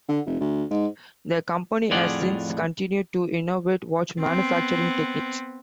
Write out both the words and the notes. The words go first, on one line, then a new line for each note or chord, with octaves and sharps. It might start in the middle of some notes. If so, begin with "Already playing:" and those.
The company has since continued to innovate watch manufacturing techniques.
D3
F1
D2
G#2
F2 A2 F4 G#4 D5 F#5
B3 C4